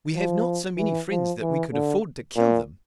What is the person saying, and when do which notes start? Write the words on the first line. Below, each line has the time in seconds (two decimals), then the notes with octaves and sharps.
"We have not so many friends that we could afford to kill them."
0.15 F3
0.77 E3
1.10 F3
1.41 E3
1.73 D3
2.36 A#2